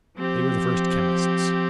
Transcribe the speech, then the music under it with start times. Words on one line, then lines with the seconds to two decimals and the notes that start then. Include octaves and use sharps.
They were the first chemists.
0.15 F3 C4 G4